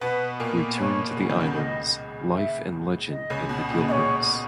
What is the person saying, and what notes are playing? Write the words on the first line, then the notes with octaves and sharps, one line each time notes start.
Return to the Islands: Life and Legend in the Gilberts.
B2 B3 B4
A#2 A#3
B2 C#5
C#3
D#3
C#2 C#3
D#5
E5
D#5
C#2 C#3
B2
A#2
C#3
B2 C#5 D#5